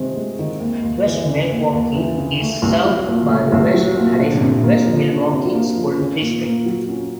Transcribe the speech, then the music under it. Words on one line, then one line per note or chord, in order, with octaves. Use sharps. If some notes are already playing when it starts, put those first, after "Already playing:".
West Milwaukee is served by the West Allis - West Milwaukee School District.
Already playing: C3 D#3 G#3 C4
G#3
D#3
D#2
D#2
E3
C#3
D#2
D#2
E3
C#3
A3
C2
F#3
A#2
A3
C2
F#3
A#2
D4
C3
A#3
F3
D4
C3
A#3
F3
C#4
A#2
A#3
F#3
C#4